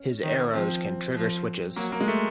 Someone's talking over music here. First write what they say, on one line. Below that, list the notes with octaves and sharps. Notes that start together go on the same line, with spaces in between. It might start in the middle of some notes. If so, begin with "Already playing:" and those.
His arrows can trigger switches.
Already playing: C#4
D#3
F3 C4
F3
F#3 A#3
A#3
G#3
A3